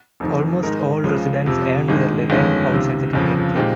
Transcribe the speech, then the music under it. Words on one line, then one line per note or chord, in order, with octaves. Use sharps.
Almost all residents earn their living outside the community.
F1 F2 D#3
G#2 D#3 G#3 D#4 A#4
C#2 C#3 F3 G#3
F2 C3 F3
G#1 G2 D#3 G#3 D#4
G1 F2 D#3 G#3 C#4
C#2 C3 D#3
G1 F2 C#3 F3
A#2 G#3 C4 D#4 G4